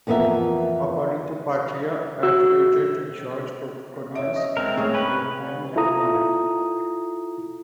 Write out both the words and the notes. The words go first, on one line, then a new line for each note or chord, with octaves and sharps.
According to "Patria", attributed to George Codinus, Euphemia never married.
F2 E3 B3 A#4 E5
F#4 E6
C#4 E5 D7
D#5 F5
G#3 C4 A#4
A2 G#4 C#5 F5 G#5 D#6
C#4 B4 G5 B5
E4 F4 A4 A#5 D#6